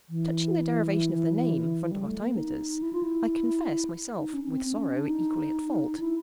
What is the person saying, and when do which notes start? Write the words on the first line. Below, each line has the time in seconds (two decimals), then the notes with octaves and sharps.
Touching the derivation of the name Vondervotteimittiss, I confess myself, with sorrow, equally at fault.
0.09 E3
1.91 G3
2.06 A3
2.22 A#3
2.37 D#4
2.82 E4
2.93 F4
3.03 E4
4.18 D#4
4.34 C#4
4.44 C#4
4.49 C4
4.64 C4
4.74 D4
4.79 C#4
4.94 D4
5.09 D#4
6.00 E4